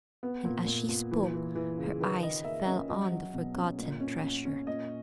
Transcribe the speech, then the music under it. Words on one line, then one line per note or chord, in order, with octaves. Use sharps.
And, as she spoke, her eyes fell on the forgotten treasure.
B3
A#2
A#2
A#2
E3
E3
E3
C#3
D#3 B4
D#3 D#5
A#3 E5
C#4 D#5
F#3 D#5
F#3
B2
C#4
A#2
C#4
C#4
C#4
A#2 D#5